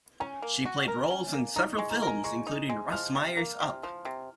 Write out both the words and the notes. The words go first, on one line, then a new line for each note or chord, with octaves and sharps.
She played roles in several films, including Russ Meyer's Up!
C#4 G#5
A#3
F#4
A#4
C#4
A#3
D#4 A#5
C#6
G#3
A#5
A#4 G#5
G#3 C#6
D#4
G#3
F3 F6
C3
A#3
C3
F3
C3